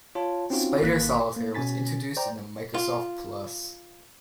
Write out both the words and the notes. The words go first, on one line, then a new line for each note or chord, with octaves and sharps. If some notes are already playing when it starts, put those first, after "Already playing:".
Spider Solitaire was introduced in the Microsoft Plus!
F4 C#5 A5
C4 C#4 D#4 F4 F#4
G#1 A#3 F#6 B6
A#3
B2 C#4 G#5 A6 B6
C5 D5 G5 A#5
F4